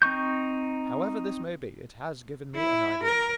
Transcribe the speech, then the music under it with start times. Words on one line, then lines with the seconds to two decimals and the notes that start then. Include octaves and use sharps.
However this may be, it has given me an idea.
0.02 C4 D#4 C#6 G6
2.55 E4
3.04 A#4